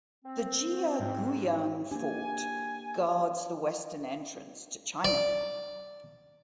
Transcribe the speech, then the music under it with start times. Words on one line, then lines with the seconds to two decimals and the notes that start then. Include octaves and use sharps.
The Jiyaguyan fort guards the western entrance to China.
0.25 C4
0.99 G#2
1.91 A#3 D4 G4 G#5
5.05 D5